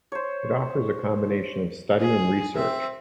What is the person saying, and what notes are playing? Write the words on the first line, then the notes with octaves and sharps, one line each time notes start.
It offers a combination of study and research.
C5 C#5
G#4
C4 E5